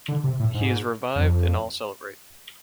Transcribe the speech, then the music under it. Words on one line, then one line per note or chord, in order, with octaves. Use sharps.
He is revived, and all celebrate.
D3
C3
A2
G#2
F2